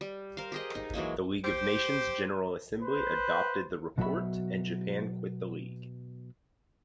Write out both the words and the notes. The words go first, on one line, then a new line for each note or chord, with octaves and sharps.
The League of Nations General Assembly adopted the report, and Japan quit the League.
G3
A#4 C5 F5
G4 G#4 D#5
D#4
E3 F#3 G#3 A#3
G4 C5
B4 C5
B2 F#3 F#4 A4 E5 B5